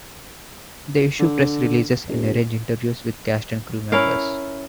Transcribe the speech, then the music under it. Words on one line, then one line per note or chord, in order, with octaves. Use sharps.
They issue press releases and arrange interviews with cast and crew members.
D3
E1
C#4 E4 A#4 F5